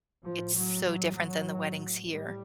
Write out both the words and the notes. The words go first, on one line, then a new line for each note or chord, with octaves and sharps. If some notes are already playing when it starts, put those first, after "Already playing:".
it's so different than the weddings here.
A2 F3
F#3
A2 F#3
F#3
A2
A2 G3